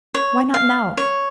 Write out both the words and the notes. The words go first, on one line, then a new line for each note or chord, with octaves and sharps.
Why not now?
C#5
F5
C#5